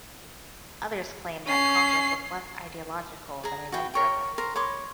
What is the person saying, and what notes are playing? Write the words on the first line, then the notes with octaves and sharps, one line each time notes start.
Others claim that Congress was less ideological than event driven.
C#4 C7
G#4 A#5
F#4 B4 G5
A#4 C#5 G5
A#4 C5
C#5 B5 C6 D6